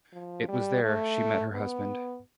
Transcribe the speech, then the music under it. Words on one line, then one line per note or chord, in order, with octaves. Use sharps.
It was there she met her husband.
F3
G3
A3
B3